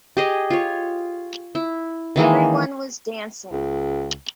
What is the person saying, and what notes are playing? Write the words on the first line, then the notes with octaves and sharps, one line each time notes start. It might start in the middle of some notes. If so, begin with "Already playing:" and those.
Everyone was dancing.
G4 G#4 D#5
F4 C#5
E4
D#3 E3 G#3 A#3
C#2